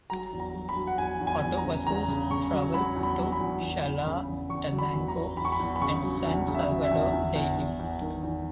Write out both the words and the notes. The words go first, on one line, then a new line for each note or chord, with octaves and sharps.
Autobuses travel to Chalatenango and San Salvador daily.
F#3 A#5
E2
A#5
F#3
B5
F#3
F#5
E2 G#5
E2
G#5
E2
A#5
C#3
E2 A#5
C#3
C#3 C#6
F#3
F#3 B5
E2
B5
F#3
B5
E2
E2
E2
C#3
E2
E2 C#6
F#3
B5
E2
A#5
E2
E2 B5
C#6
B5
E2
B5
C#3 C#6
F#3
E2
C#3
E5
F#3
E5
E2
E2
E2
E2
E2
D#3
E2